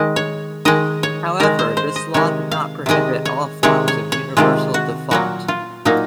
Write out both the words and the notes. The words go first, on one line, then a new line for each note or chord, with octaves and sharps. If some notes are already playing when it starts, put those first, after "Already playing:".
However, this law did not prohibit all forms of universal default.
Already playing: D#3 G#3 D#5
C#5
D#3 G#3 D#5
C#5
D#3 G#3 A#4
C5
C5
D#5
C3 D#3 G#3 C#5
F5
C3 D#3 G#3 D#5
C#5
C3 D#3 G#3 C#5
C#5
C#5
C3 D#3 G#3 F4
F#4
A#2 F#3 A#3 F#4
F4
A#2 F#3 A#3 D#4